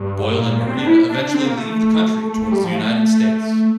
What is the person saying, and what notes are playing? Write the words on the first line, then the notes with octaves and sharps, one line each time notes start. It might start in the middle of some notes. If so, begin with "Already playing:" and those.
Boyle and Maria eventually leave the country towards the United States.
Already playing: G2
A#2
C4
D4
E4
D4
D4
C4
A#3
A3
A3
A3
A3
G3
F3
A3